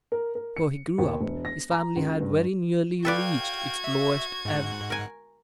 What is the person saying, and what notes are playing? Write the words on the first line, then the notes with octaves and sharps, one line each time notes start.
Before he grew up, his family had very nearly reached its lowest ebb.
A#4
A#4
C#7
D#2
E1
A#6
A#5
C#2
G2
F#4 A4 B4 D5 F5 G5 G#6
E5
G#2 F#5
A#4 G#5